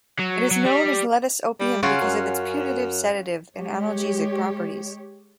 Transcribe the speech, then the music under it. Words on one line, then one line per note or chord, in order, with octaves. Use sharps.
It is known as lettuce opium because of its putative sedative and analgesic properties.
F#3
F#3
G3
G3
C#3 C#4 F4 F#4
F#2
G#3 G4 C#5